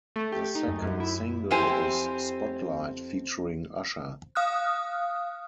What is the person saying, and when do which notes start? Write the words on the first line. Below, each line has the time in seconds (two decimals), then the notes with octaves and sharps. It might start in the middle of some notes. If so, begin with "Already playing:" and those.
The second single is "Spotlight" featuring Usher.
0.16 A3
0.32 G4
0.55 D#4
0.68 F#2
0.82 F#2
1.00 E4
1.51 F2 C4 E4 G4 C5 G#5
4.35 F5 D#6 F6 F#6